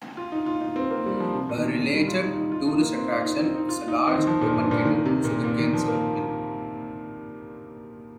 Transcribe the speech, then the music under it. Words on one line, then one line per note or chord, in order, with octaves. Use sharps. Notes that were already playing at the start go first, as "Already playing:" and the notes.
A related tourist attraction is a large open-kettle sugarcane syrup mill.
F4
D#4
F4
D#4
C4
A#3
G3
F3
C3
A#2
D#3
C3
D#3
G3
F4
D#4
D#4
F4
D#4
A#3
C4
F4
D#4
C4
D#4
F4
D#4
C4
D#3
F3
A#2
G2
A#2
D#3
C3
A#2
A#2
D#3
F3
A#3